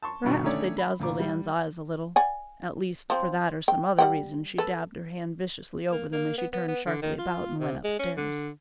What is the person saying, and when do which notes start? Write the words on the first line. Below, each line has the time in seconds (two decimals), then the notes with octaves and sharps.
Perhaps they dazzled Anne's eyes a little; at least, for that or some other reason she dabbed her hand viciously over them as she turned sharply about and went upstairs.
0.02 A5 C6 C#6
0.24 G2 B2 D#3
0.43 D3 D#3 A3 C#4 C#5 D5
0.78 B5
1.00 D2 A#2 D6
1.20 G3
2.16 D5 F#5 G#5
3.10 F3 C4
3.68 G5
3.99 G3 F#5 G5
4.58 A4 B4
5.92 A#3
6.12 A#3
6.38 B3
6.53 B3
6.68 B3
6.86 D3
7.02 D#3
7.19 F4
7.60 C3
7.84 G#3
7.99 C#4
8.17 D3